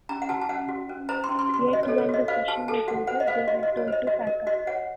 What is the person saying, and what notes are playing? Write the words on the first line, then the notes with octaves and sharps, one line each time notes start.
Yet when the session was over, they were told to pack up.
C#4 A#5
F#5
F#4 A5
A5
C#4 F#5
F#4
C#4
C5 A#5
C6
C#4
C6
F#4 C6
F#4 D#5
A4 C#5
C#5
F#4 D#5
C5 F5
F#4 A5
A4 A5
F#4 F#5
C5 F#5
D#5
C5 F5
F#4 D#5
F#4 D#5
C#5
C5 D#5
F#4 D#5
A#4 D#5
F#4 D#5
C#5 F#5